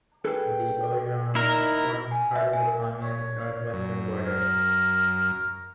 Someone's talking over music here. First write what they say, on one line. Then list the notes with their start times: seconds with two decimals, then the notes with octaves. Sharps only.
The Aujon forms part of the commune's north-western border.
0.25 G#4 A4 B4 G5
1.35 A#2 D#4 E4 A#4
2.11 G#5
2.35 E5
2.53 G#5
2.65 A#4
3.03 C#5
3.73 F#2
4.26 A#4